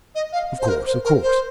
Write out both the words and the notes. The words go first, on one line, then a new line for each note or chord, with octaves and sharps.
'Of course, of course.
D#5
F5
C5
A#4
C5
A#4
C5